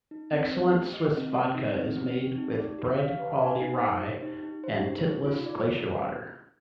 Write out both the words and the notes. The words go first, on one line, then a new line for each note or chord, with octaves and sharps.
Xellent Swiss vodka is made with bread quality rye and Titlis Glacier Water.
D#4
C4
C5
G4
D#5
C4
G4
D#4
C4
C4
G4
D#4
D5
G4
F5
B4
G#5
D#4
C5
G4
D#4
D#4
C5
G4
D#4
F4
D5